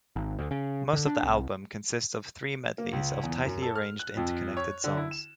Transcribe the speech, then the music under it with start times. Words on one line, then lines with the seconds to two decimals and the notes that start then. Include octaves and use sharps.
Most of the album consists of three medleys of tightly arranged interconnected songs.
0.16 G#1
0.39 D2
0.51 C#3
0.93 D3
1.06 D4
1.23 C2
2.78 A#3
2.93 C#2
3.23 E2
3.46 F#2
3.62 A4
3.75 F6
4.00 F#6
4.17 F2
4.57 C#5
4.84 D3
4.97 E4
5.11 E7